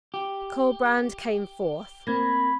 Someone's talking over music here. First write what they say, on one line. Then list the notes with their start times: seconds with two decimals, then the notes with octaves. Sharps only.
Colbrand came forth.
0.14 G4
2.07 A#3 C4 B5 G#6 A#6